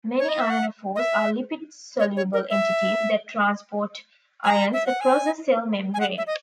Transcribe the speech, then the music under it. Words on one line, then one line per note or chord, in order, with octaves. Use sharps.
Many ionophores are lipid-soluble entities that transport ions across a cell membrane.
C#5
D#5
E5
F#5
D#5
E5
C#5
C#5
A#4
E5
G#5
A#5
E5
F#5
G#5
G#5
F#5
E5
D#5